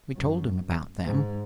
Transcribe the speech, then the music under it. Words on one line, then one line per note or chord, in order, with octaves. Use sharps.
We told him about them.
F#2
G#2